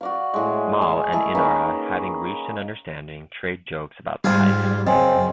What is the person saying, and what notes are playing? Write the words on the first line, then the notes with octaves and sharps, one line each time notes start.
Mal and Inara, having reached an understanding, trade jokes about the heist.
F#4 D5 F5
A2 G#3
G#5
G#3 A3 E4 G#4
D#3 A#3 C#4 B4
G#2 G3 F4 G#4
F#2 C#3 C4 D#5 G#5 C6